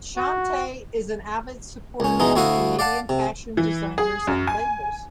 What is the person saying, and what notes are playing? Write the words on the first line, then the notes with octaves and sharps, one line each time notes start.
Chante is an avid supporter of Canadian Fashion Designers and labels.
F#4
C#2 C#4
B2 E3 G#3 D#4
D2 E4 F#4 F5 F#5 D#6
D5 F5 F#5 A5
C3
E3
G#4
F#2
G#5